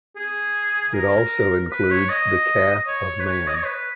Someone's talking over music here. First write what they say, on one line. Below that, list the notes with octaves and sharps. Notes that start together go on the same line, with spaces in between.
It also includes the Calf of Man.
G#4
A#4
B4
C#5
D#5
C#5
B4
C#5
D#5
C#5
B4